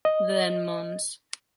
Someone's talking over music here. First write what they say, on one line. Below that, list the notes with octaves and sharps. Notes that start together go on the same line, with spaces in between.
Then mons.
D#5